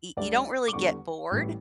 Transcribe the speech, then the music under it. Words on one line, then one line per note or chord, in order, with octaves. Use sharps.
Y You don't really get bored
D2 D3 G3 D5
D6
E2 D3 G3 C#6
A1 A2 E3 G3